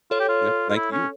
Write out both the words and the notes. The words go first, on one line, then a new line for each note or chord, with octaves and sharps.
Yep, thank you.
F4 A4 C#5
G4
F4
F4
E4
C#4